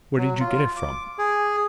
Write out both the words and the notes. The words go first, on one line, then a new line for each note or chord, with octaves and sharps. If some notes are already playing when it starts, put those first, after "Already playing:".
Where did you get it from?'
F#3
F4
D6
G#4